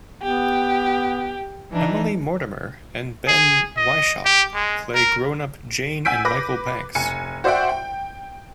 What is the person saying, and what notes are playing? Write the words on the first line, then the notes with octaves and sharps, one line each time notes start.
Emily Mortimer and Ben Whishaw play grown up Jane and Michael Banks.
B3 G4
E3 D4 D#4
G#4
D#5
G4
G#3
A#4
F#5 G#5 E6 G6 B6 D7
B4 D6 A#6
F1 G#5 C#7
F#4 C5 D5 E5 F#5 G5
G5